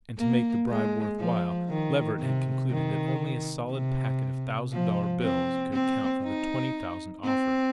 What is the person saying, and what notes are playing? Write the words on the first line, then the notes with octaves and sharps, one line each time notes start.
And, to make the bribe worth while, Leverett had concluded that only a solid packet of thousand-dollar bills could account for the twenty thousand offered.
A#3
G#3
F3
D#3
C3
D#3
C3
F3
C4
C4
D#4
C4